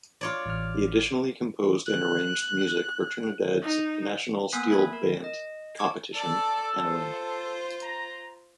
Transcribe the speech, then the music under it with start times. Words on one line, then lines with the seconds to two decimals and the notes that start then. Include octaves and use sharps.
He additionally composed and arranged music for Trinidad's national steelband competition Panorama.
0.21 F4 C#5 D5
0.46 A1 F6
1.86 F#6
3.62 D#4
4.52 A#3 B3 G#5 D#6 F#6 B6
4.71 E5 B5 G#6
4.93 A#4
5.24 D#5
5.79 A5 C#6 D6 G#6
6.15 A4 D5 A5
6.81 F4 C5
7.83 A#5